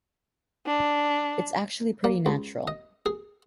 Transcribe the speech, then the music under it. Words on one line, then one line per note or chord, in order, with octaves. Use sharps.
It's actually pretty natural.
D4
A#3
C#2
D#5
G#4